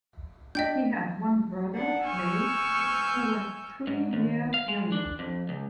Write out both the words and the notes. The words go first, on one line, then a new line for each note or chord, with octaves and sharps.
He had one brother, Leigh, who was three years younger.
D4 D#5 G5 G6 B6
D4 F#5
G#5 C#6 E6 F6 G6
G#2
D#2
F5
G#3
D4
F2
C#2